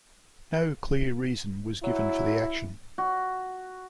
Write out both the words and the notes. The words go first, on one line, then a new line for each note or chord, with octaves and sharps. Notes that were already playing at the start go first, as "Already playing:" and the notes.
No clear reason was given for the action.
F#3 E4
F#4